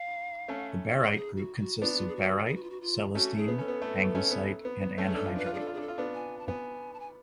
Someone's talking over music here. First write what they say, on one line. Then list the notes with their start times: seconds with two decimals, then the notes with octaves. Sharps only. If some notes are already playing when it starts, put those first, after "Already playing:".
The "baryte group" consists of baryte, celestine, anglesite and anhydrite.
Already playing: F5
0.48 A3 C#4
1.15 G#4
1.37 F#4
1.60 F#4
1.82 B3 D4 F4
1.97 F4
2.08 G#4
2.16 F#4
2.48 G#4
2.56 F#4
2.63 F4
2.70 F#4
2.81 F4
3.15 A3 C#4 F#4
3.37 G#4
3.48 B3
3.58 C#4 A4
3.68 B3
3.82 A3
3.98 B3
4.15 A3 C#4
4.31 B3
4.65 B3
4.82 B3
4.98 A3 C#4
5.09 G#4
5.14 D4 A4
5.26 F4
5.36 D4 B4
5.46 F4
5.54 G#4
5.57 D4 A4
5.67 F4
5.74 G#4
5.78 D4 A4
5.88 F4
5.98 B3 D4
6.14 G#5
6.39 A5
6.47 B3 G#5
6.94 A5
7.00 G#5